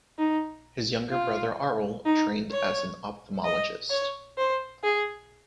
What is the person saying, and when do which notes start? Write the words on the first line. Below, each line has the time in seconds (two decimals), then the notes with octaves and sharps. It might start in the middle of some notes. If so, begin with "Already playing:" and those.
His younger brother Aurel trained as an ophthalmologist.
0.18 D#4
1.11 F4
2.05 D#4
2.51 C#5
3.45 D#5
3.90 C#5
4.38 C5
4.84 G#4